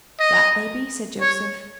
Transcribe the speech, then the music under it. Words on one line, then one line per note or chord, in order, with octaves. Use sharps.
"That they be," said Joseph.
D#5
C#5